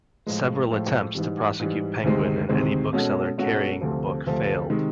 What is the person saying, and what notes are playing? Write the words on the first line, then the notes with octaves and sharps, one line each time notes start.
Several attempts to prosecute Penguin and any bookseller carrying the book failed.
A2 F3 G#3
A2 F3 G#3
G#2 E3 G3
G#2 E3 G3
D2 C3 D#3 G#3 C4
D2 C3 D#3 G#3 C4
B2 G#3 C#4 F#4 A4
B2 G#3 C#4 F#4 A4
D2 C3 F3 A3 C4
D2 C3 F3 A3 C4
C3 D#3 G#3